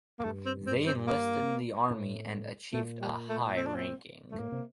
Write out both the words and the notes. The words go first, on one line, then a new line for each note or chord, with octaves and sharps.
They enlisted in the army, and achieved a high ranking.
A#3
G2 A3
C4
C4
C4
A#3
A2
A#2 A3
G3
A3
C4
D4
C4
A3
G2
A2 A#3
C3